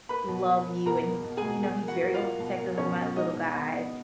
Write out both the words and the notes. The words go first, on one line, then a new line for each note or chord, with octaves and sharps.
love you, and he's you know, he's very overprotective of my little guy,
A#3 B4 B5
B2
B2
A#3
B2 A#4 A#5
A#3
B2
G#4 G#5
B2
B2 G#4 G#5
A#3
F#4 F#5
A#3
F4 F5
A#3
B2
A#3
B2 C#4 C#5
B2
G#3 D#4 D#5
B2
B3
B3